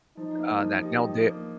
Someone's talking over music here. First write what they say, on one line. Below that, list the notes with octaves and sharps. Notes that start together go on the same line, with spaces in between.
uh, that nailed it
F3 D#4
A#3
F3
D#4 G4
F3
D4
A#3